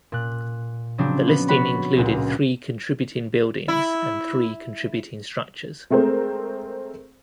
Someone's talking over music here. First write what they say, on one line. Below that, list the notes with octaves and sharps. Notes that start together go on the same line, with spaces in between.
The listing included three contributing buildings and three contributing structures.
A#2 F#6
C#3 F3 F#3 C4 D4
B3
B3 F#4 C#5 F#5 B5
C#2 A#2 F#5
E4
G#3 A3 C4 A#4 C5